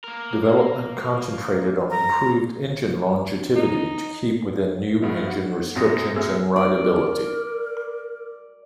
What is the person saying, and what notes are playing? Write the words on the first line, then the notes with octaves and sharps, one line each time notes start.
Development concentrated on improving engine longevity, to keep within new engine restrictions, and rideability.
A#3 A#4
A#5
D#4
G2 F3 G#3 A3 B3
F#4
F#2 B2 C4 D#6 A#6
F#2 B2 A3 G#4 E6 F6
A#4 D5